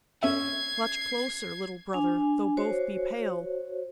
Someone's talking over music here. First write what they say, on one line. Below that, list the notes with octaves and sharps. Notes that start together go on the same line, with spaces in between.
Clutch closer, little brother, though both be pale!
C#4 E5 G#6 C7
D4 G#5
F#4 C5 C#5